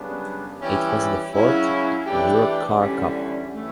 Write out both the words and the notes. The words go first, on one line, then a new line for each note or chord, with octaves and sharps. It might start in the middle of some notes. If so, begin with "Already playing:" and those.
It was the fourth Europcar Cup.
Already playing: F#2 C#3 G3 B3 D4
E3 G3 C#4 E4 G4
C#3 F#3 C#4 E4
E3 A3 D4 G4
E2 D3 G3 C#4
A2 E3 A3 C#4